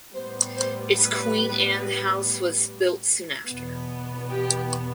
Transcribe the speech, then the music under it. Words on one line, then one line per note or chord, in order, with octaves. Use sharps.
Its Queen Anne house was built soon after.
A2 G3 B3 C5
C5
B4
E2 B2 B3
G4